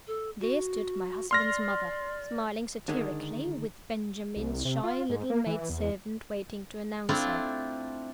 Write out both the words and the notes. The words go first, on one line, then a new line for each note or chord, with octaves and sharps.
There stood my husband's mother, smiling satirically, with Benjamin's shy little maid-servant waiting to announce her.
A4
F#4
D5 C6 F6 A#6
D3 D#3 G#3 D4
C2
C3
F4
G#2
A#3
E3
E2
A3 C4 D4 E4 F4